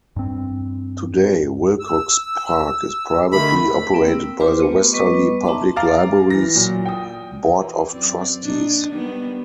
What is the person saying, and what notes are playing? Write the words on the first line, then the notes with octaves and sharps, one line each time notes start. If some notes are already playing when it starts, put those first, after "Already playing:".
Today, Wilcox Park is privately operated by the Westerly Public Library's Board of Trustees.
G2 C4
E6
D3 D#3 A3 B5
A#3 C4 A#4 G5
E6
F4 G4 B4 C5 C6 D6
A3 B3
G3 B3 B4 D#5 C#6 D6
D#4 E5 A5 A#5 C6 D6
F5 A#5 D6 A6
E3 A#6
A#2 F#3
G5 D#6
E3
F#2 C4 D5
A#2 D4 D#4
D#3 G3 B3